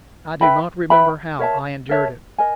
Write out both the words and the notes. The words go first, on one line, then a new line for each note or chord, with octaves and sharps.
I do not remember how I endured it.
B4 E5 G5 B5
B4 E5 G5 B5
A#4 C#5 E5 A5
A#4 C#5 E5 A5
A#4 D#5 G#5